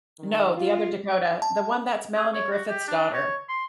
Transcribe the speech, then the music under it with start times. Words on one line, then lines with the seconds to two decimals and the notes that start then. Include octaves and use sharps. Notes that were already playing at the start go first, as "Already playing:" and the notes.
no, the other Dakota. The one that's Melanie Griffith's daughter.
0.19 D#3
0.57 F4
1.42 A5
2.16 G#4
2.34 C#5
2.51 F#4
2.69 G4
2.88 D4
3.14 C#5
3.49 C6